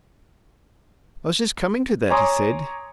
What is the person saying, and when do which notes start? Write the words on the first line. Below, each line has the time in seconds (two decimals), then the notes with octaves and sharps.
"I was just coming to that," he said.
2.10 C#5 G#5 A#5 C6 D6 D#6